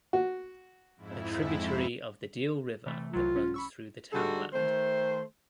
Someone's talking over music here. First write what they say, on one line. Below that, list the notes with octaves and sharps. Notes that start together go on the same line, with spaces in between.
A tributary of the Deel river that runs through the townland.
F#4
F2 G#2 E4
C3 E3 A3
C2 F#3 F4
C#4
B5 C#6 E6
D3 G3 D#4 F#4 G#4 A4
D#3 A3 C5